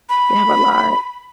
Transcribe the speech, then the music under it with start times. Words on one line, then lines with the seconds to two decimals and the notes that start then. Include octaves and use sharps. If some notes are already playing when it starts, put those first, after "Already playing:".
They have a lot.
0.10 B5